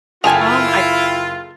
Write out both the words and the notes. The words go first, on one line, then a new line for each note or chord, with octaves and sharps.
Um, I
F#1 E4 F4 G#4 A4 G5 G#5 F7